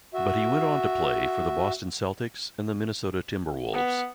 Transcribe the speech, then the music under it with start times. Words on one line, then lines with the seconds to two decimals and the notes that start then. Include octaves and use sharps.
But he went on to play for the Boston Celtics and the Minnesota Timberwolves.
0.14 F#4 E5
3.73 B3